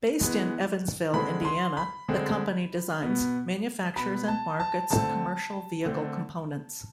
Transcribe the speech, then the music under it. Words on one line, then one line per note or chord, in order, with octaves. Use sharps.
Based in Evansville, Indiana, the company designs, manufactures and markets commercial vehicle components.
E3 G#3 B3
D3 G#3 C4 B5
C6
B5
D3 G#3 C4
B2 B3
B2 B3 B5
A5
A5
D3 A3 C4 A5
D3 A3 C4